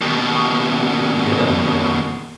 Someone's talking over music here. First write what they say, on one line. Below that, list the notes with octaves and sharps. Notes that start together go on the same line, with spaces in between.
Yeah, yeah.
D#2 B2